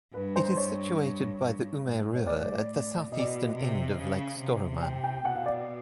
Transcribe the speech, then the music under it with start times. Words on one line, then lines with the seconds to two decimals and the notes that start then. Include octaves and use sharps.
It is situated by the Ume River, at the southeastern end of Lake Storuman.
0.14 G2 B4
0.36 C5
0.57 C#5
1.42 G2
1.84 G#2
2.15 C#5
2.27 A2 D5
3.12 B2 D#5
3.19 D5
3.27 D#5
3.55 C3
3.97 C#3
4.40 C3
4.83 G5
5.04 G5
5.25 B2 F#5
5.35 F5
5.46 D5